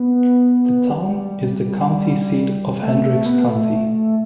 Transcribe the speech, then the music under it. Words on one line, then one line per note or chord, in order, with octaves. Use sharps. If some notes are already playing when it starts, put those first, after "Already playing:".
The town is the county seat of Hendricks County.
Already playing: B3
G3
A3
A3
B3
A3